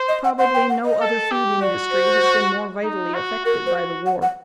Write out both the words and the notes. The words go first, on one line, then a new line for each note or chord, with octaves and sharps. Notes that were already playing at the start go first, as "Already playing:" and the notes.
Probably no other food industry has been more vitally affected by the war.
Already playing: C5
D#5
F#5
C5 F#5
G5
F#5
D#5
A4
G4
F#4 D5
C5
D#4
F#4
F#4 A#4
C5
F#4
F#5
F#5